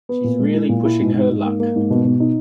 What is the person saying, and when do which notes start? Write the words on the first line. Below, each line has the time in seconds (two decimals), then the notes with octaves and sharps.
She's really pushing her luck!
0.09 B3
0.24 A#2
0.39 G#3
0.54 E4
0.69 A#2
0.85 E4
1.00 G#2
1.14 G#2
1.30 G#2
1.45 A#3
1.60 A#3
1.76 G#2
1.90 B2
2.05 B2
2.20 D#4